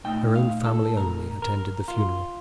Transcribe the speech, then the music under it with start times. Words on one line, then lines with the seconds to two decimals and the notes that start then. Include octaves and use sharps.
Her own family only attended the funeral.
0.04 A#2 A3 D#4 G5
0.36 F5
0.66 A4
0.97 A#4
1.42 A#4
1.88 F4